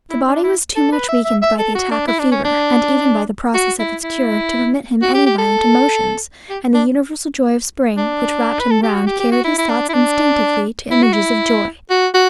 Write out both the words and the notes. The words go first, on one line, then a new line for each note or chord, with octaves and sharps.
The body was too much weakened by the attack of fever, and even by the process of its cure, to permit him any violent emotions, and the universal joy of spring which wrapped him round carried his thoughts instinctively to images of joy.
E4
D4
E4
A4
B4
E5
E5
E5
A4
F#4
D4
E4
D4
C#4
D4
F#4
E4
E4
F#4
G4
G4
A4
G4
D4
D4
B4
A4
G4
F#4
G4
G4
F#4
E4
E4
D4
E4
D4
E4
F#4
E4
F#4
F#4